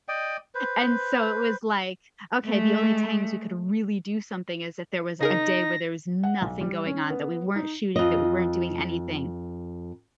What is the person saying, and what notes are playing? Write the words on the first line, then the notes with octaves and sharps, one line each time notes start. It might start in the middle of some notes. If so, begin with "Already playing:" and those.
and so, it was like, "Okay, the only times we could really do something is if there was a day where there was nothing going on, that we weren't shooting, that we weren't doing anything."
D5 D#5 G5
B4 C5
G#3 A3
C#3 D#4 G#4 A#4 A#6
F#5
B1
G3
C#4
B3
D#4
F2 D#5